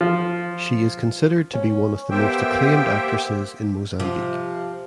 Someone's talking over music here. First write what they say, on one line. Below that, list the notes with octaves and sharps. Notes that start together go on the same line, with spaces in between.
She is considered to be one of the most acclaimed actresses in Mozambique.
F3
C#4
A#3 B3 G4 C5 E5 G5
C3 F3